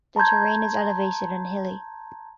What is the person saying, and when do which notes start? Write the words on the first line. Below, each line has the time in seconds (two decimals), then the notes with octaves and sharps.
The terrain is elevated and hilly.
0.16 A5 A#5 C6 G6 G#6